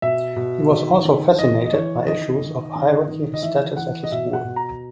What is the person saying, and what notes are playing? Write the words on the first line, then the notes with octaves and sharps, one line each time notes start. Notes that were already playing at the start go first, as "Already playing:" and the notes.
He was also fascinated by issues of hierarchy and status at the school.
B2 E5
B2
D#3
D#3
E3 D#5
D#5
E3 C#5
D#3 D#5
D#3
D#3
D#3
D#5
E3 E5
E3 F#5
D#5
B2 E5
F#5
B2
A#5